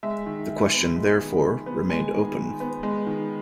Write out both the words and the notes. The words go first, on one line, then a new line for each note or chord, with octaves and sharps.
The question therefore remained open.
G#3 E5
D#3
D#3
B3
G#3
D#3
D#3
B3
G#3 G#5
D#3
D#3
B3
G#3
D#3